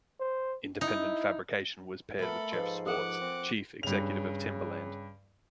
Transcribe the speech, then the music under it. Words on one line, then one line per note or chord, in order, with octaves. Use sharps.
Independent Fabrication was paired with Jeff Swartz, chief executive of Timberland.
C5
D#4 E4
A3 B3 A4 A#4 B5
G#2 F3 B4 D#5
A4 A#4 F#5 D6
C4
G2 C#3 F7